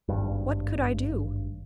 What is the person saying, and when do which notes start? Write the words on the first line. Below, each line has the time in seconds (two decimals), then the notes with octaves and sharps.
What could I do?
0.09 G#1 G2